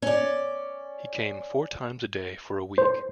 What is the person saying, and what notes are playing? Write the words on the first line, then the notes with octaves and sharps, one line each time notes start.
He came four times a day for a week.
C#4 D5
C5